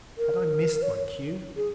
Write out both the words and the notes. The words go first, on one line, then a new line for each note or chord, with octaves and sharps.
Had I missed my cue?
A#4
C#5
G#4